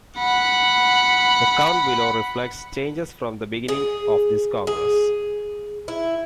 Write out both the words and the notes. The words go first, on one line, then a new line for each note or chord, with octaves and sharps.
The count below reflects changes from the beginning of this Congress.
F#5 B5
G#4
G#4
E4